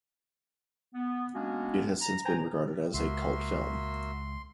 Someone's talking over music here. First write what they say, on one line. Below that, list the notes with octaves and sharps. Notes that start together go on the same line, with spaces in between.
It has since been regarded as a cult film.
B3
G#3 A#3 B3 C#4 D4 F#4
A#5
B4 C5 G5 G#5 A#5
C#2 A#3 F#4 E5 C6